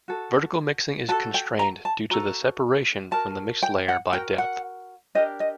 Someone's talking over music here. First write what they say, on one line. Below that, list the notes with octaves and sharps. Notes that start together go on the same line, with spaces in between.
Vertical mixing is constrained due to the separation from the mixed layer by depth.
F#4 A4
F#4 A4 A5
G5
A#5
A5
F#4 A4 A#5
F#4 A#4 A5
G5
F#5
F#4 A#4 G5
F#5
D4 G4 A#4 D#5
D#5